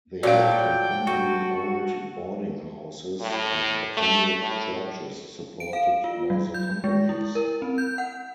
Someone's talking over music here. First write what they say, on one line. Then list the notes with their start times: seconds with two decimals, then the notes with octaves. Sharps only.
They lived in company-owned boarding houses, and attended churches supported by the companies.
0.23 A#2 F#3 A4 D5 F5 G5
1.07 F#4 A4
3.20 A2
3.97 A3
4.41 A2
5.60 D7
5.73 F5
6.04 F4
6.30 F#3
6.54 G6
6.84 G#3
7.09 E4
7.35 A#4
7.62 C4
7.78 G6
7.98 F#5